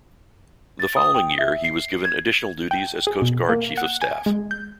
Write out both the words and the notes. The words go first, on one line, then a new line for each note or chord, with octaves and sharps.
The following year, he was given addition duties as Coast Guard Chief of Staff.
A6
D#6
G5
E5
C7
G#6
G5
G#4
B2
A#3
F#5
G#5
G#3
G6